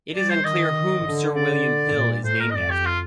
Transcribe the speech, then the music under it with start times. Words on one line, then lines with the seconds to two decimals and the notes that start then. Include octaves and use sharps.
It is unclear whom Sir William Hill is named after.
0.14 G3 D5
0.30 C5
0.44 D#3 D#5
1.05 D3
1.35 D5
1.50 D5
1.95 A#2
2.25 A2 C5
2.40 A#4
2.50 D#5
2.55 F2 D5
2.70 G4
2.85 F4